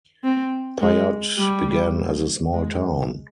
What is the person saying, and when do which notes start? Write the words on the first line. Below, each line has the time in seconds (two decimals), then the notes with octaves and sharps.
Pyote began as a small town.
0.24 C4
0.81 G#3
1.38 G3
2.53 G#3